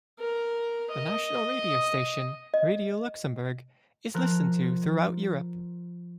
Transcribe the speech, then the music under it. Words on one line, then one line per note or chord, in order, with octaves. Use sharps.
The national radio station, Radio Luxembourg, is listened to throughout Europe.
A#4
D#5
D#5
F3 A#4 F#6